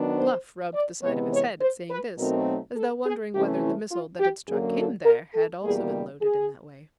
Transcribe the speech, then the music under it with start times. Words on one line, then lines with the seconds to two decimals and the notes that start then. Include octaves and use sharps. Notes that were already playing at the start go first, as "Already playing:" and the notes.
Bluff rubbed the side of his head at seeing this, as though wondering whether the missile that had struck him there had also been loaded in that way.
Already playing: D#3 F#3 B3 D4
0.17 C5
0.74 D5
1.03 C3 E3 G#3 B3 C#5
1.32 C#5
1.61 C5
1.90 B4
2.18 B2 F#3 A3 C4 D#4 A#4
2.76 A4
3.05 G#4
3.34 C3 E3 A3 C#4 G4
3.62 E4
3.91 F4
4.19 G4
4.48 F#2 D3 F#3 A#3 G#4
4.77 A4
5.05 A#4
5.35 A4
5.64 E2 B2 G3 A#3 G#4
5.92 G4
6.22 G#4